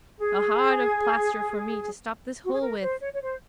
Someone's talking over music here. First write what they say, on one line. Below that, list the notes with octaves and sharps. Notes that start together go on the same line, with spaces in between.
A hod of plaster for me to stop this hole with!
G#4
F#4
G#4
A#4
C5
C#5
C#5
C5